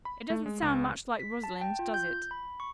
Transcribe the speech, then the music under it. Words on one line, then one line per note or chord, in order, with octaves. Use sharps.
It doesn't sound much like Rosalind, does it?
B5
A3
G#3
C#2
B6
A5
G5
F4
G6
B5
C#6